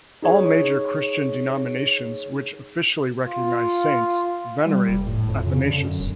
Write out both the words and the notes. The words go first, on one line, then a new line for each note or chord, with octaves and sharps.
All major Christian denominations which officially recognize saints venerate Athanasius.
D#4 G#4 C#5
F4
G3
F1
A2
F2
C#3
D3
F#2
E1